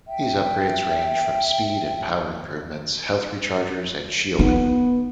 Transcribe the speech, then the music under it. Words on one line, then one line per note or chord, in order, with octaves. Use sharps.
These upgrades range from speed and power improvements, health rechargers, and shielding.
E5 G5
B3 D#4